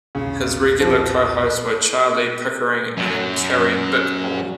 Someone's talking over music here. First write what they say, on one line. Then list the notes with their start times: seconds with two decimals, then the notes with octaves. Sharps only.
His regular co-hosts were Charlie Pickering, and Carrie Bickmore.
0.15 B1 E2 A#2 C#3
0.80 F3
2.97 F#2 F#3